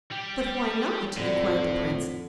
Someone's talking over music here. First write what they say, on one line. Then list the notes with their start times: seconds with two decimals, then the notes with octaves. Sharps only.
"But why not?" inquired the prince.
0.11 G3 G4
1.17 F2 A2 D3